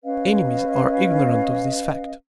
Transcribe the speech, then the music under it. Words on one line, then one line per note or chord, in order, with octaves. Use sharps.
Enemies are ignorant of this fact.
C#4 B4 D#5 F5